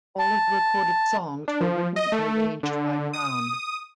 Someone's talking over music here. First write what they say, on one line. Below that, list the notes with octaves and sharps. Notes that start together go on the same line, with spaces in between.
All of the recorded songs were written and arranged by Brown.
A5
D4
F3
D#5
A3
D3
D#6